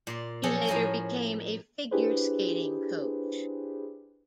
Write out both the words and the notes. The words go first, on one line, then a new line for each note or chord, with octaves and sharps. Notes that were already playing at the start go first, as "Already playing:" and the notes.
He later became a figure skating coach.
A#2 D5 C6
F3 F#3 C#4 F#4 G#4 A4
A2 F3 G#4 A#4 G#5
D4 E4 G4 G#4 B4 C5